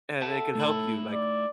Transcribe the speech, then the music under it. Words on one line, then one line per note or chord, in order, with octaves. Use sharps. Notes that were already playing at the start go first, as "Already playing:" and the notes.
and it can help you, like,
A4 E5 F#5 A5
A3 D#4 E4
D5